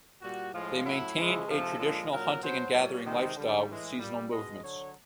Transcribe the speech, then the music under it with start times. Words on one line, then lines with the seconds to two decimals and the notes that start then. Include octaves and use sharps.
They maintained a traditional hunting and gathering lifestyle with seasonal movements.
0.22 A#2 G3 F#4
0.53 A2 F3 G#3 F4
0.84 A2 F#3 E4
1.16 C#3 F3 G#3
1.47 C3 F3 G#3 A4
1.78 A#2 F3 G#3
2.11 A#2 F#3 A#4
2.42 B2 F#3 C5
2.73 A#2 G3 C#5
3.05 C3 D#3 G#3 C5
3.36 D3 G3
3.68 A2 E3 G#3
3.99 A#2 G3
4.31 B2 G#3 D#5
4.62 D3 F#3 C#5